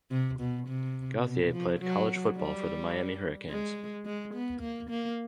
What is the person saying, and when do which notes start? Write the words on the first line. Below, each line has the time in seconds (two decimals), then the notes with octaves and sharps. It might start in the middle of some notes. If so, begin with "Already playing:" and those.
Gauthier played college football for the Miami Hurricanes.
0.11 C3
0.39 B2
0.67 C3
1.24 B2
1.52 F3
1.81 F#3
2.36 G3
3.49 G#3
4.05 G#3
4.34 B3
4.61 A#3
4.90 A#3